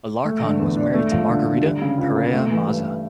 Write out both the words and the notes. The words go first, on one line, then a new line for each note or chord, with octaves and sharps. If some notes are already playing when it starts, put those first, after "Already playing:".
Alarcon was married to Margarita Perea Maza.
A3
D3
E2
D4
A3
F3
D3
D3
G3
C#3
C#2
A#3
A3
E3
G2